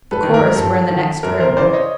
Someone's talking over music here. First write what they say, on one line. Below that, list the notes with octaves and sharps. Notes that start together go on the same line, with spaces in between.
The chorus were in the next room.
A4 B4
D#3
A#4
G2 A4
D#3
F#2 A#4
A#4 C5
C#3 E3 C5 D5
C#5 D#5